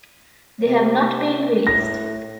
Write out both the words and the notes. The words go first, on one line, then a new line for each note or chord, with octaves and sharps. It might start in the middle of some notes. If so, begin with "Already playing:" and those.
They have not been released.
C3
A2 A#6